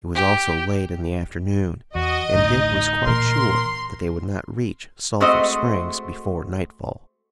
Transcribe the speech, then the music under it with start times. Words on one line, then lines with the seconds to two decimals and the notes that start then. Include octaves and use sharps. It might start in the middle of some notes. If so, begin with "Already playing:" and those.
It was also late in the afternoon and Dick was quite sure that they would not reach Sulphur Springs before nightfall.
0.15 G4
1.95 E2 F#4 D#5
2.34 A1 D2 A2 D#4
3.07 A#2 E3 A#4 C6
5.20 G#3 A3 C4 F#4 C5 D#5